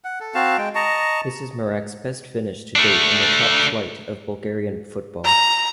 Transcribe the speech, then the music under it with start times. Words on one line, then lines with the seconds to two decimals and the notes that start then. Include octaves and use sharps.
This is Marek's best finish to date in the top flight of Bulgarian football.
0.04 F#5
0.20 A4
0.34 C4 F#4 F5 A5
0.58 G#3 G5
0.75 D#5 A5 A#5 C#6
2.76 A3 D4
5.25 A#5